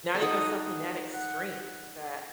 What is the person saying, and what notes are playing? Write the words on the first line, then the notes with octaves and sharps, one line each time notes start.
not even something that extreme that
A4
D#4 F#4 D#6
F#5